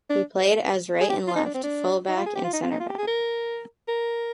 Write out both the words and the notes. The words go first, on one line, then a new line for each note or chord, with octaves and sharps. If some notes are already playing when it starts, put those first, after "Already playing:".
He played as right and left full back and centre back.
D4
G#4
G4
F4
D#4
D4
C4
D4
D#4
F4
G#4
G4
F4
D#4
F4
D#4
F4
G4
G#4
A#4
A#4